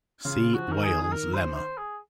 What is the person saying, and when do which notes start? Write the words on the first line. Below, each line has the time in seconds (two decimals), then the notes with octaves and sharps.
See Weyl's lemma.
0.25 C#3 F4
0.54 F3 F#4
0.68 D#3 A#4
0.84 G#4
1.03 G#4
1.12 A#4
1.34 C5
1.55 C5
1.78 G#4